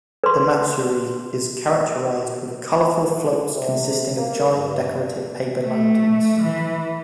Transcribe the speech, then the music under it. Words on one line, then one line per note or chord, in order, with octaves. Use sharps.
The matsuri is characterized with colourful floats consisting of giant, decorative paper lanterns.
B4 C6
C3
A#3
G2
A3
E3